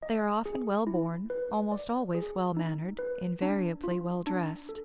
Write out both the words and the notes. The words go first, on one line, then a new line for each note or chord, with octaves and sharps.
They are often well born, almost always well mannered, invariably well dressed.
D#5
G#4
E4
B4
D5
G#4
D#4
B4
D4
F4
D4
A4